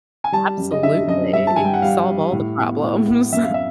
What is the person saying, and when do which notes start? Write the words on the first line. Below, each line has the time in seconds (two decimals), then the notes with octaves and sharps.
Absolutely, solve all the problems.
0.24 G#5
0.32 G3 A5
0.58 F#2
0.72 D#5
0.83 D3 E5
1.07 F#2 D#5
1.33 G2 E5
1.47 A5
1.56 G2 G#5
1.64 G5
1.74 F#5
1.82 G3 F5
2.08 G3
2.32 A2
2.58 B3
2.83 A2
3.07 B3
3.32 F#2 E5
3.44 F5
3.54 E5